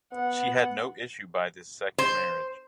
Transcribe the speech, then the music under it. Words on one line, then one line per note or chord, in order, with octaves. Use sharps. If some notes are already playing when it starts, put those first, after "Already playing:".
She had no issue by this second marriage.
B3 F#5
C5